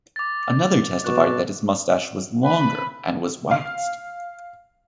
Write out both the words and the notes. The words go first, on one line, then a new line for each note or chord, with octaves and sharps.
Another testified that his mustache was longer and was waxed.
D6 A6
B2 C#6 F#6
D4 B4 B5
F5